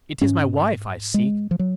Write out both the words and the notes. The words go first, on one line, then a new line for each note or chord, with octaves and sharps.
It is my wife I seek.
G#2 C#4
G#3
F3
F#3